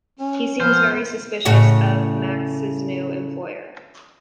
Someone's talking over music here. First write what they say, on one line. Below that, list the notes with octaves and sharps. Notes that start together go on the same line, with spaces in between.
He seems very suspicious of Maks's new employers.
C#4
F3 B3 C5 F6
A2 C#3 F#4